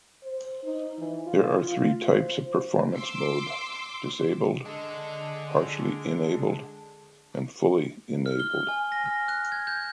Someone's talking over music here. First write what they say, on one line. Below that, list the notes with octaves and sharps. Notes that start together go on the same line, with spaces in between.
There are three types of Performance Mode: Disabled, Partially enabled, and fully Enabled.
C5
D#4
E3
F4
F4
C5
C6 D6 E6
D3 G#3 D4 A4
F6
G7
G#5
A#6
F6
F#6
G#6
G6